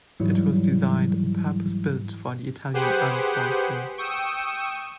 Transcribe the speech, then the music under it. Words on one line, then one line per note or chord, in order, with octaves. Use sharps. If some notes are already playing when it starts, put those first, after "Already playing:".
It was designed and purpose-built for the Italian armed forces.
G#2 E3 F#3 G3 E4
G4 G#4 B4 C5 F#5 G5
G5 C#6 D#6 E6